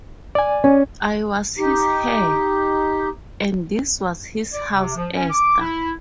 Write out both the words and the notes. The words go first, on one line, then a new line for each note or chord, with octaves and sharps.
I was his heir, and this was his house, Esther.
D5 G#5
C#4
D#4 G4
D5
C3
F3
C#4
D6
E4